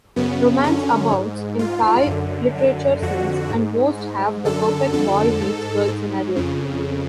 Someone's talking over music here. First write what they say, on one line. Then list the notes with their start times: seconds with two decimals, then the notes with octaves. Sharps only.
Romance abounds in Thai literature scenes and most have the perfect boy-meets-girl scenario.
0.16 F#2 C#3 B3
0.63 F#2 D3 C#4
1.12 G#2
1.59 G#2 F4
2.06 F#2 D3
2.55 F#2 D3
3.02 F2 D3 F#4
3.50 G#2
3.97 G#2
4.45 F#2 D3 A4
4.93 F2 D3 A4
5.41 G#2
5.88 G#2
6.36 F2 C#3